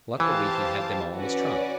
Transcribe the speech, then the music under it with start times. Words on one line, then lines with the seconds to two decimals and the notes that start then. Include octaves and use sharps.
Luckily he had them all in his trunk.
0.20 E3 G4 C5 F5 A5
1.14 C#4 F#4 B4 D5